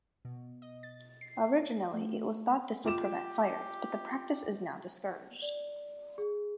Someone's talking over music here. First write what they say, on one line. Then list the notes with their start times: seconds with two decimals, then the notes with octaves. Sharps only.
Originally, it was thought this would prevent fires, but the practice is now discouraged.
0.25 B2
0.62 D#5
0.83 A6
1.21 C7
1.94 A3
2.85 F4 G4 D6 E7
5.42 D5
6.18 G#4